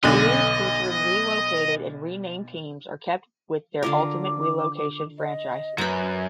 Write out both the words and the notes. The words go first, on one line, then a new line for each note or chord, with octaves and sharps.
Series featuring relocated and renamed teams are kept with their ultimate relocation franchises.
B1 D3 D#5
D3 F4 A#4 D6
D#5
F#2 B4 A#5 B5